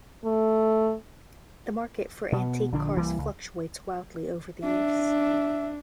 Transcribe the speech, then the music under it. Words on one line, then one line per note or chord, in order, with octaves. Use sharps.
The market for antique cars fluctuates wildly over the years.
A3
B2 B3
A#1 A#2 D3 D4
C2 E3 G3 A#3
C#2
D4 E5